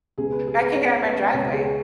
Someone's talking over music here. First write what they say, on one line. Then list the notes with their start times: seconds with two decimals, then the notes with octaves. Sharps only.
but I can't get out of my driveway.
0.18 C#2 B2 B3 G#4
0.32 B4
0.47 G#4
0.61 B4
0.76 C#5
1.05 B4
1.33 C#2 B2 B3 C#5
1.53 G#4